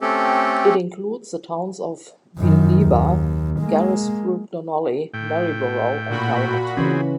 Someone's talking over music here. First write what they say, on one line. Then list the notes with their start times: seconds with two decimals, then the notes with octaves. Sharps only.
It includes the towns of Bealiba, Carisbrook, Dunolly, Maryborough and Talbot.
0.01 A3 C4 C#4 G4 A4
2.38 F#2 D#3
2.83 D#2
3.60 G#3 A#3
5.14 A2 G5
6.09 A#2 F#4 B5
6.77 C#3 E3 C4 C#4 G#4